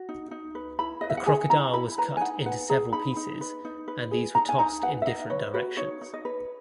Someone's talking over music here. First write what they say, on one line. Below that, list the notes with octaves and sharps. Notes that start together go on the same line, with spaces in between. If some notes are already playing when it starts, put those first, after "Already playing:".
The crocodile was cut into several pieces and these were tossed in different directions.
Already playing: F#4
D#4
D#4
B4
E4 B5
B4 D#5
E5
F#5
G#4 G#5
E4 A#5
E4 B5
B4 A#5
G#5
D#4 F#5
B4 F#5
G#4 A#5
D#4 B5
D#4
B4
D#4
B4
G#4
D#4 A#5
G#5
D#4 A#5
B4 F#5
E5
D#4 D#5
B4 C#5
F#4 B4
D#4 C#5
D#4
D#5
B4